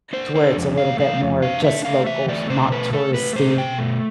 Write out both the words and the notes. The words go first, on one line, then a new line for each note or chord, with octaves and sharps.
to where it's a little bit more just locals, not touristy,
D4 C5
D4 C5
F2
A3 F5
E3 F5
F2
D4 F5
A3 E5
A3 F5
E3 E5
A3 D5
B2 C5
A3 B4
A3 A4
A3 B4
B2 C5
B2 G5
A3